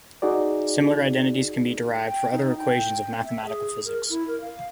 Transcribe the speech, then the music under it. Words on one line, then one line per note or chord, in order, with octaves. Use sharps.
Similar identities can be derived for other equations of mathematical physics.
D#4 F#4 G#4 D5
G5
D#4
G5
E5
G#4
A#4
E4
A#4
F5